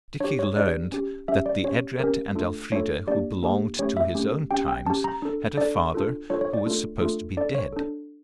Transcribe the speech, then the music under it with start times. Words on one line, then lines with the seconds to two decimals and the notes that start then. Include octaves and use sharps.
Dickie learned that the Edred and Elfrida who belonged to his own times had a father who was supposed to be dead.
0.20 D4 G4 C#5
0.39 C#5
0.57 D4 G4 D5
0.92 C#4 G4
1.28 C#4 G4 E5
1.46 D5
1.64 C#4 G4 C#5
2.00 C#4 G4 A#4
2.35 A3 D4 F4 A4
2.72 A3 D4 F4 A4 C#5
3.07 A#3 D4 G4 D5
3.43 A#3 D4 G4
3.79 A3 C#4 G4 C#5
3.97 E5
4.15 A3 C#4 G4
4.51 C#4 G4 G5
4.68 G5
4.86 C#4 G4 A5
5.04 A#5
5.22 D4 A4
5.57 D4 A4 D5
5.94 D4 F4 A4
6.30 D4 F4 A4 C#5
6.41 C#5
6.53 D5
6.66 A3 D4 F4 A4
7.01 A3 D4 F4 A4
7.37 D4 A4 D5
7.55 C#5
7.73 D4 A4